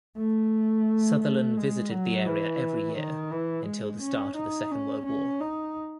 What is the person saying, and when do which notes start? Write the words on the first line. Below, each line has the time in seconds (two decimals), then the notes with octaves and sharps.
Sutherland visited the area every year, until the start of the Second World War.
0.17 A3
1.22 A3
1.57 G#3
1.91 F#3
2.26 E3
2.97 D#3
3.31 E3
3.66 G#3
4.02 C#4
4.36 D#4
4.72 C#4
5.06 C#4
5.41 D#4